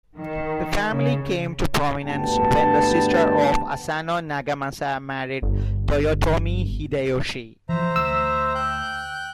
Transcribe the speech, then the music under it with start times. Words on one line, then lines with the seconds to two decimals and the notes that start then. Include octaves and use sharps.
The family came to prominence when the sister of Asano Nagamasa married Toyotomi Hideyoshi.
0.17 D#3
0.91 C#3
2.03 D2 G2 B3 B4 G5 A5
5.42 G1
7.69 E3 F3 C5 E5 A#5
7.96 D2 E6
8.55 G5 F#6 G6